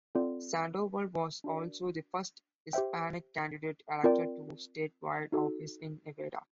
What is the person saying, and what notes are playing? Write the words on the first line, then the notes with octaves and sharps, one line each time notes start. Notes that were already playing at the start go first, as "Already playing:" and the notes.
Sandoval was also the first Hispanic candidate elected to statewide office in Nevada.
C4 F4 A4 D5 F#5
D4 F#4 A#4 D5
G4 C5 E5 G5
C4 F4 A#4 D5 G5
D#4 F#4 A4